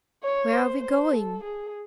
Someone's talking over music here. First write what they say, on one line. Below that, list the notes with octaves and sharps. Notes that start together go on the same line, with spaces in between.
"Where are we going?"
C#5
C5
C5
A4
G#4